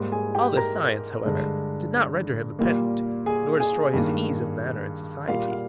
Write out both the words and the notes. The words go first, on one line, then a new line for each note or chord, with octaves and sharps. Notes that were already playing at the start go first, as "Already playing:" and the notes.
All this science, however, did not render him a pedant, nor destroy his ease of manner in society.
Already playing: G#2 G3 A#3
G#4 G#5
G4 G5
A#4 A#5
G2 D3 G#3
A#2 G3 A#3
G#4 G#5
G#4 G#5
G2 D#3 A#3
A#2 G3 A#3 F4 F5
F5